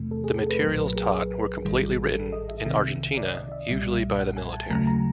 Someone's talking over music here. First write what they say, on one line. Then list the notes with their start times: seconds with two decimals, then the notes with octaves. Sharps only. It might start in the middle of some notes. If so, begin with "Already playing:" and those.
The materials taught were completely written in Argentina, usually by the military.
Already playing: E2 C3 E3 A3
0.11 A4
0.24 G#4
0.37 A4
0.50 B4
0.62 B1 A#2 F#3
0.74 B4
0.79 A#4
0.96 G#4
1.65 A1 G#2 D#3 G3
2.15 A4
2.33 D#5
2.49 E5
2.66 C2 C3 D#3
3.17 D5
3.34 D#5
3.52 E5
3.69 B1 A#2 G3
4.20 F#5
4.37 G#5
4.53 A5
4.70 D#2 C#3 F#3 A3 A#5
4.87 A#5